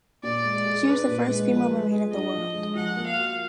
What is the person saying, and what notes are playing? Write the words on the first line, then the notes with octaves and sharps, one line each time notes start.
She was the first female Marine of the world.
A#2 D5
G#3
G#4
D4 B4
A#2
G#3
F3
G#3
G#4
D4 D#5
F3
G#3
F3 F#5
A#3
F5
F#4